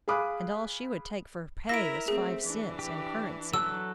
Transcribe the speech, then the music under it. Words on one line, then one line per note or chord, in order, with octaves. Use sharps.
And all she would take for pay was five cents in currency.
G#4 F5 B5 D6 D#6 F#6
E4 A#4 E5 A#6 D7
A3 C4 G#4
E3 D4
G4
F#3 A4 E6 F#6